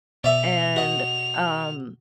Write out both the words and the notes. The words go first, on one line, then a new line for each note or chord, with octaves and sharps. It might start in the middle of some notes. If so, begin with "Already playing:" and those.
and, um
B2 D5 E5 F7
F#4 D#5